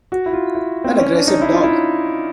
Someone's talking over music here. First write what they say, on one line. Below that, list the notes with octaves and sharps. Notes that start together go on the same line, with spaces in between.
An aggressive dog.
F#4
E4
F4
E4
C4
C#4
D4
D#4
E4
F4
E4